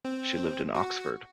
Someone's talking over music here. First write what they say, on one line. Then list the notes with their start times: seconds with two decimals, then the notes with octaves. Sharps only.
She lived in Oxford.
0.05 C4
0.75 F#4